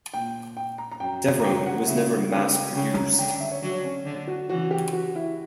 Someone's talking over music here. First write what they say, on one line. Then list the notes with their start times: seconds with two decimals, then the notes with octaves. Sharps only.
Devrim was never mass-produced.
0.14 A#2 G5
0.57 G5
0.78 A#5
0.92 A#5
1.00 F#2 G5
1.39 A#5
1.44 C#3 G5
1.66 F#5
1.87 C#3 E5
2.31 C#3 G5
2.53 G5
2.75 C#3 G5
2.97 A#5
3.19 D3 G5
3.29 G5
3.40 E5
3.51 C#5
3.62 D3 F#3
3.84 C#4
4.05 D3
4.28 F#4
4.50 C#3 E3 F#4
4.71 G4
4.93 F#4
5.15 E4